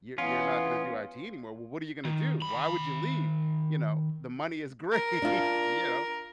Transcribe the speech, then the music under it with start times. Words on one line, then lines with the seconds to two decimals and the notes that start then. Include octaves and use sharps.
"You're you're not gonna do IT anymore, well, what are you gonna do? Why would you leave?" You know, the money is great, you know,
0.18 E3 B3 C#4 F4
2.05 D#3
2.42 D#3 B5
4.92 A#4
5.22 D4 F4